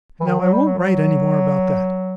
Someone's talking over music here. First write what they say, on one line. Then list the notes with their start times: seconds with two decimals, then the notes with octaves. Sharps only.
Now I won't write any more about that.
0.20 E3
0.26 D#3
0.40 F#3
0.52 G3
0.66 F#3
0.78 F#3